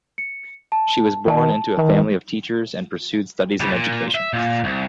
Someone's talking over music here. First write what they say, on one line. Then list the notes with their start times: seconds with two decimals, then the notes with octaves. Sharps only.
She was born into a family of teachers and pursued studies in education.
0.18 C#7
0.72 A5
1.30 A5
3.60 C#3 G3
3.73 A#2
4.15 E5
4.33 A#2
4.64 C2